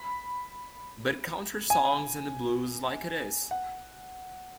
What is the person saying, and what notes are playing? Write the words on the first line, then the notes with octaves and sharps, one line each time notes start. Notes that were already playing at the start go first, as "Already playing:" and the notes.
But country songs and the blues is like it is.
Already playing: B5
G#5
F#5